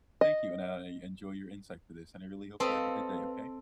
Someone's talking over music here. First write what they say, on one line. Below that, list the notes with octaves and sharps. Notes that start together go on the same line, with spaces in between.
Thank you, and I enjoy your insight for this, and I really hope you have a good day, okay?
D#5
C4 A4 B4 D#5 F5